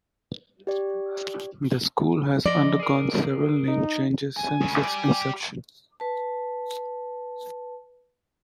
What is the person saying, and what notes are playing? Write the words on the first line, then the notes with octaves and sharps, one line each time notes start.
The school has undergone several name changes since its inception.
G4 D5
F3 D5 D#5
G#4 A#4
D#4
G#5
D2 C#3
G4 D5
B4 A5